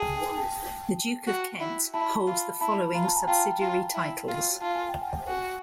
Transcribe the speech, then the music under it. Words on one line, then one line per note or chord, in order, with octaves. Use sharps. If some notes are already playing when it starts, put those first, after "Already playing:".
The Duke of Kent holds the following subsidiary titles.
Already playing: G#4 G5 A5
G5 A5
G5 A5
F#4
E4
E4 A5 B5
F4
E4 A5 B5
F4 A#5
A5
G#5 A#5
F4 G5 A5
F4
E4
F4
F4 A5
G#5
G5
F#5 G#5
F#4 F#5 G#5